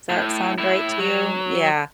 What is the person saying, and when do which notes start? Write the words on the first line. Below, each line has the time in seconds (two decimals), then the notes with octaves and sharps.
Does that sound right to you? Yeah.
0.09 A2
0.58 A2 E4
0.99 F#3